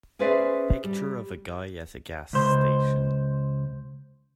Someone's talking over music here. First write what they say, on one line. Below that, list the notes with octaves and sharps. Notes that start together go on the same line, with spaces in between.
Picture of a guy at a gas station.
C#4 G#4 B4 C5 D5 E5
G3
C#2 C5